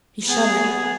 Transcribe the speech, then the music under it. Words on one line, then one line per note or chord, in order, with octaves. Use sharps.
He shuddered.
B3 G#4